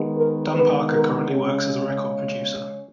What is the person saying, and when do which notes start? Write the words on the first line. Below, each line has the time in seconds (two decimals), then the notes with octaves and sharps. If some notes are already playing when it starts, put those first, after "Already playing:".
Dan Parker currently works as a record producer.
Already playing: D#3 G#3 B3
0.15 A#4
0.53 B4
0.91 A#4
1.29 C#3 G#3 C#4 G#4